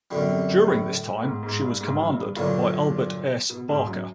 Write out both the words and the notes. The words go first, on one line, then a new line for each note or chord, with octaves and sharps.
During this time, she was commanded by Albert S. Barker.
F#2 B2 D3 G3
C3
B2
A2
A2
G#2
G#2
G2
G#2
G2
F#2
G2
G2 A#2 D3 F#3
B2
G#2
F#2